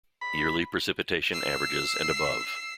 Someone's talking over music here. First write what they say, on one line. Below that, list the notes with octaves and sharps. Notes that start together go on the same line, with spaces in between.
Yearly precipitation averages and above.
B5
E6 C7